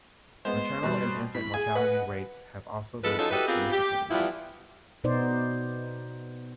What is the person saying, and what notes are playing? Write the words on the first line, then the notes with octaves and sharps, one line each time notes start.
Maternal and infant mortality rates have also been cut significantly.
G#3 B3 C5
B2 G3
A2 B5
G#4 G#5
B4 D#5 F#5
E2 F3 G#3 A4 B4
F#3 C#4 D#4 F4 A4 C#5
E4 F#4 G4 A4 B4 D#5
B3 C4 F4 G4 G#4 A#4
G4
E3 F3 G3 B3 E4 F4
B2 B3 D#4 C5 D5